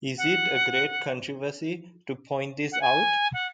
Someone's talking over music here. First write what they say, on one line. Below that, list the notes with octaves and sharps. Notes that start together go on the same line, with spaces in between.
Is it a great controversy to point this out?
F#5
F#5
G#5
F#5